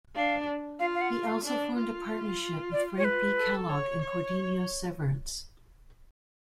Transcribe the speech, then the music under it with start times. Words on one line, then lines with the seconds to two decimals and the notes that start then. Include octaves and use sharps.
He also formed a partnership with Frank B. Kellogg and Cordenio Severance.
0.15 D4 F5
0.80 F4 F5
0.95 F5
1.01 F#5
1.23 F5
1.44 D4
1.76 F4
2.72 D5
2.98 C#5
3.04 B4
3.37 A4
3.69 C#5
4.02 C#5